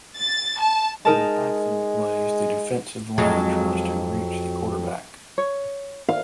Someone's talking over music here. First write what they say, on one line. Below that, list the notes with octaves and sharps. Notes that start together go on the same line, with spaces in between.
On passing plays, the defensive line tries to reach the quarterback.
A6
A5
G#3 D#4 A#4 A5
F2 F#3 G#3
C#5
F5